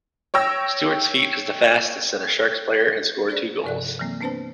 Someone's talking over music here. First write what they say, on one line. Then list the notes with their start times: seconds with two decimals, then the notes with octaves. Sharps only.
Stuart's feat is the fastest that a Sharks player has scored two goals.
0.34 C#5 G5 E6 A#6
3.28 D4 G#4 C5 D5
3.64 G2 C3 F3 D5 C#6 F#6
3.99 E3 F#3 A#3 C4
4.21 B3 C4 D4 B4 C5 A5